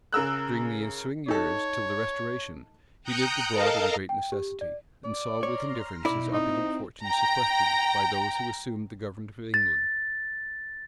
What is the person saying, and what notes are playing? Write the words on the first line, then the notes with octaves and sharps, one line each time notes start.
During the ensuing years, till the restoration, he lived abroad in great necessity, and saw with indifference his opulent fortune sequestered by those who assumed the government of England.
C#3 A#4 E6 F#6
D#4 A4 C#5
G5 A#5 D#6 F#6 G6 C#7
A4 A#4 D#5 F5 A5 A#5
G5
G4
D5
D5
C#5 A#5 C6 F6
B2 D#4 E4 D5
C4 D#4
G5 A#5
A6